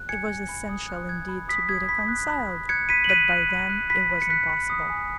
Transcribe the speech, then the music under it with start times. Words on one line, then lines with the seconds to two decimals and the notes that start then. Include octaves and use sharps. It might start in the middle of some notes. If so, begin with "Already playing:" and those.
It was essential, indeed, to be reconciled, but by then it was impossible.
Already playing: F#6
0.09 G#5 G#6 C#7
0.28 G#5
0.49 B5
0.69 D#6
0.89 F#6
1.09 F#6 G#6
1.29 B5
1.49 D#6 B6
1.69 D#6 G#6
1.89 B5 B6
2.08 F#6
2.29 B5
2.50 B5
2.69 F#6 G#6 C#7
2.89 B5 B6 D#7
3.04 F#7
3.09 F#6 B6 D#7
3.29 F#6
3.49 B5
3.70 F#6
3.90 B5 B6
4.10 B5
4.22 C#7
4.30 F#6 B6
4.49 B5
4.70 D#6
4.90 G#5